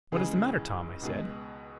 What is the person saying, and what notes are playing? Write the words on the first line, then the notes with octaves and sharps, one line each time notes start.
"What is the matter, Tom?" I said.
C#2 C#3 E3 G#3 G#4
C#2 B2 G#3